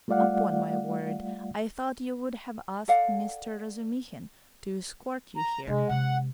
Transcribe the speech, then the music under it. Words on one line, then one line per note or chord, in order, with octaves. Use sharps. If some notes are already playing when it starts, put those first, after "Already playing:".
Upon my word, I thought you would have asked Mr. Razumihin to escort you here.
G3 A3 F4 D5 F5 F#5
A4 D5 F5 F#5
A#5
C3 G#3 D4
C3 G#3 F#5